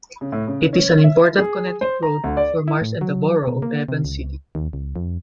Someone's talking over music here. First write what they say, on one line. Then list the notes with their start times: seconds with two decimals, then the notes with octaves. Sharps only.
It is an important connecting road for Mars and the borough of Evans City.
0.21 C#3
0.32 A2
0.48 C#3
0.73 C#4
1.04 E5
1.39 G#4
1.81 C5
2.03 A#5
2.24 D2
2.37 D5
2.68 E4
2.81 A2
3.01 F#3
3.47 B2
3.62 A#3
3.88 C3
4.05 C#2
4.55 D#2
4.73 C#2
4.96 F2